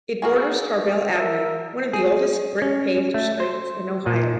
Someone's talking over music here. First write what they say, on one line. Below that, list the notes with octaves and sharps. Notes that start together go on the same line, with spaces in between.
It borders Tarbell Avenue, one of the oldest brick-paved streets in Ohio.
A#3 F#4 G#4
A#4 E5
G#4
C#4
A3
C5
A#2